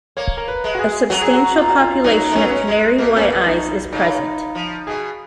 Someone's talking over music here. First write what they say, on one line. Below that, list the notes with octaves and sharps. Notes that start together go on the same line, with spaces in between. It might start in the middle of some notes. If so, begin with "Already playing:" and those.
A substantial population of canary white-eyes is present.
A#3 C#5
A#4
B4
G#3
F#4
G#4
F#3 F#4
G#4
F#4
F4
F#4
F4
F#3 D#4
G#3
F#3 C#4
B3
C#4
G#3
B2 A#3
C#4
B3
D#4
C#3 D#4
F3
B2 G#4